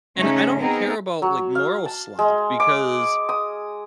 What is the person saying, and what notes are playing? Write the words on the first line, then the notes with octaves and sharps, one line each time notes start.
and I don't care about, like, moral slop, because
C#3 A3 C#4 D#4
B3 C4 D#4 G#4 A#4
F#3
F5
A5
G#3
D6
D#6